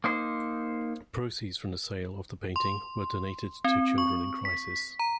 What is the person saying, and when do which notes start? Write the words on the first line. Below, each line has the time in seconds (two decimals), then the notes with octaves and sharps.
Proceeds from the sale of the painting were donated to Children in Crisis.
0.04 A#3 D#4 C5
2.56 C6
3.64 C4
3.98 C#6
4.45 B6
4.99 A#5